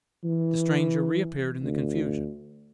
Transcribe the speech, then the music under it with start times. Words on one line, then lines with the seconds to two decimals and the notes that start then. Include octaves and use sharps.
The stranger reappeared in the confusion.
0.24 E3
1.63 D2